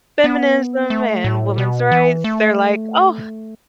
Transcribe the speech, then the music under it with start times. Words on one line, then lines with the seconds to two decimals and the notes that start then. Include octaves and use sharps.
feminism, and women's rights, they're, like, "Oh,
0.24 B3
0.90 A3
1.24 A2
1.58 B2
1.92 E3
2.24 A3